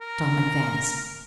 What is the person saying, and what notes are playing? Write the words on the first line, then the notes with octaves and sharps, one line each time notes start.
Tom advanced.
A#4